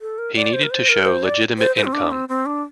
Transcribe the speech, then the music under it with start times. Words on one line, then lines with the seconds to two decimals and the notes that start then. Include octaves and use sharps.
He needed to show legitimate income.
0.01 A4
0.18 A#4
0.35 D5
0.53 C5
0.63 A#4
0.70 C5
0.89 A#4
1.06 C5
1.24 D5
1.58 C5
1.76 C5
1.84 C4
1.93 D4
2.11 C4
2.29 C4
2.46 D4